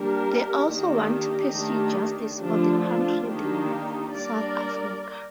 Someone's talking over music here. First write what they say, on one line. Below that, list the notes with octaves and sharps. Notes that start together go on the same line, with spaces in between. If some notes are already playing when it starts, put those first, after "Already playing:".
They also want to pursue justice for the country they love, South Africa.
Already playing: G3 A#3 D4 G4 A#4
D#3 A#3 D4 D#4 G4
D#3 A3 D4
D3 F3 A3 D4 F4
D4 F4
D#3 A#3 D4 D#4 G4
G3 A#3 D4 A#4 D5